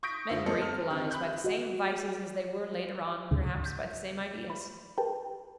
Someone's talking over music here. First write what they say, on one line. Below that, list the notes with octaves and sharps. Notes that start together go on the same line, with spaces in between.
Men were equalized by the same vices as they were later on, perhaps, by the same ideas.
C#6 D#6 G6 A#6 B6 D7
F#1 D3 F4 C5 E5 C#7
F3 G#3 A#3 A4 D#5
A5 F6
D3 C4 G4
B5 F#6 G6
F#4 D#5
D2 G#2 C#3
G6 B6
B5
G4 G#4 A#4 B4 G5 A5